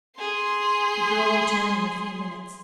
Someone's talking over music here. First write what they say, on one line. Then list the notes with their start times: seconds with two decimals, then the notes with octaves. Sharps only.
The girl returned in a few minutes.
0.17 G#4 C6